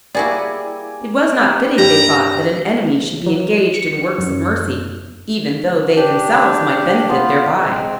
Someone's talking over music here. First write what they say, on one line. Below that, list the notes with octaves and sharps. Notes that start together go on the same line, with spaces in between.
It was not fitting, they thought, that an enemy should be engaged in works of mercy, even though they themselves might benefit thereby.
G3 A#3 E4 F#4 G#4 D5 G#5
G3 A#5
G2 G4 D5 A#5
F#3
C#7
F#2
D4 G4
B3 F4
G#3 C4